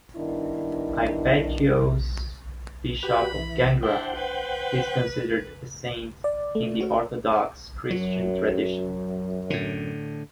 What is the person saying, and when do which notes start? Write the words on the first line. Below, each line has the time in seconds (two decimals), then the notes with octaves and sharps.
Hypatios, bishop of Gangra, is considered a saint in the Orthodox Christian tradition.
0.16 G2 D#3 B3 D4 E4
3.03 F#4 G4 B4 B5
3.39 E3
3.83 D4 E4 C5 F#5 G5
4.15 B4
6.24 D5
6.55 A3
6.80 F#4
7.90 F#2 F#3
9.50 A2 D3